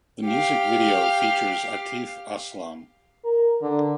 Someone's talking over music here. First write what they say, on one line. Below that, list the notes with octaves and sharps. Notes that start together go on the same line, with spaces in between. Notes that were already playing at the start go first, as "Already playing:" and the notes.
The music video features Atif Aslam.
G4 F5
A#4
D3